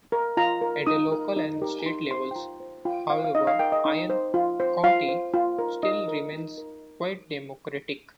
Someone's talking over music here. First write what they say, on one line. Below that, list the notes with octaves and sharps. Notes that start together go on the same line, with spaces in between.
At the local and state levels, however, Iron County still remains quite Democratic.
A#4
F4 A#5
A#4
D#4 D#6
A#4
D#4
G4 A#4
D#4 C6
C5 C6
G5
F4 A#5
C5
F4 G5
C5 F5
F5
D#4 D#5
F5
A#4 G5
D#5
D#4
C5
F4
C5
F4 F5
C5
F4
A#4
D#4 D#5
A#4
D#4
A#4